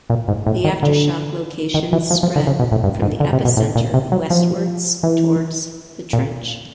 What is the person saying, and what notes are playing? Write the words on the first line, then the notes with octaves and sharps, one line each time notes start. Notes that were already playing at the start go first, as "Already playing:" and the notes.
The aftershock locations spread from the epicenter westwards towards the trench.
A#2
G#2
A2
D#3
D3
D#3
E3
F3
F3
D3
C#3
B2
A2
G2
G#2
D3
C3
B2
A2
A#2
C3
F#3
F3
E3
A#2